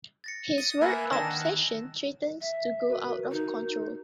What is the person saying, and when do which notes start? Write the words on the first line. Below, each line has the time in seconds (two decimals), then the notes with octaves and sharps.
His weird obsession threatens to go out of control.
0.24 A6 A#6 C#7
0.58 D#6 A6
0.81 A#3 B4 E5 G#5
1.12 D#3 D4 G#5 E6 A#6 E7
1.29 F#5
2.41 E5
2.89 F#4 A#4 B4
3.31 D#4